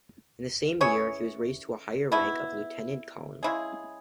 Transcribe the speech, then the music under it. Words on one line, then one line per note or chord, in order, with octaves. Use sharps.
In that same year, he was raised to a higher rank of lieutenant colonel.
E3 C#4 G#4 C#5
B2 B3 E4
C#3 G#3 E4 G#4